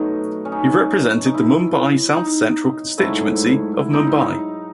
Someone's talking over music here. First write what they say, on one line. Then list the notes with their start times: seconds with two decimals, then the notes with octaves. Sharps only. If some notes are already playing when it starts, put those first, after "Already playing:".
He represented the Mumbai South Central constituency of Mumbai.
Already playing: B2 F#3 A3 D#4
0.45 C#4
0.52 D#4
1.26 D#4
1.34 E4
2.16 D#4
2.98 G#2 F#3 A3 E4
3.79 E4
3.93 D#4
4.07 E4
4.20 D#4